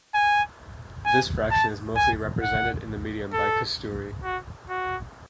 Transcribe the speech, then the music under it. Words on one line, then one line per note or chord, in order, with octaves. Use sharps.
This fraction is mostly represented in the media by Kasturi.
G#5
G#5
A5
G#5
F#5
A4
F#4
F#4